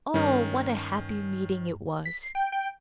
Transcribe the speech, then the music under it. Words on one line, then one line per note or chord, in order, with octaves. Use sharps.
Oh, what a happy meeting it was!
G2 D#3 C#4
B6
C7
G5
G5